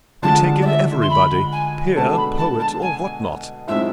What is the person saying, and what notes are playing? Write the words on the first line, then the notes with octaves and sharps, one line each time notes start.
We take in everybody--peer, poet, or what not.
D2 D3 G#3 D4 F4 A5
D5
E5
C6
B5
G#5
B2 G#3 D4 A4 A5
B5
A5
A5
G#5
B1 A2 G#3 C4 F4 E5